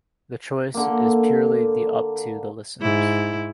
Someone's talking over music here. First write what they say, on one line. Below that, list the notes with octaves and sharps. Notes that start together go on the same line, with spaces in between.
The choice is purely the up to the listeners.
D3 A#3
G#2 E4